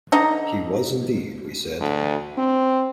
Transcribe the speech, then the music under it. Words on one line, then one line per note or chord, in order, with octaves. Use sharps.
He was indeed, we said.
D3 D#4 A#5
D2
C4